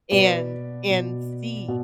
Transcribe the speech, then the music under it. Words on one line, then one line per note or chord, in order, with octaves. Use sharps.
and and see
B2 B4 D5
B2
B2